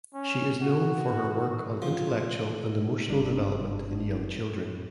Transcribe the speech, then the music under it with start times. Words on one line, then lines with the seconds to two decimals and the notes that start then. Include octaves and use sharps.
She is known for her work on intellectual and emotional development in young children.
0.14 C#4
0.61 F#4
1.82 F3
3.08 G1 D4